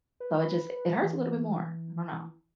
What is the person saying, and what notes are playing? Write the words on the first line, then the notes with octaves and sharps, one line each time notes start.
So it just it hurts a little bit more. I don't know.
B4
E3